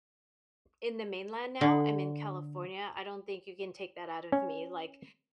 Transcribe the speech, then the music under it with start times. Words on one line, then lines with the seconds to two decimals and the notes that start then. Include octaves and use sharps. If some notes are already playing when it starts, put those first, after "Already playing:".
in the mainland now, I'm in California, I don't think you can take that out of me, like,
1.61 D3
4.32 C#4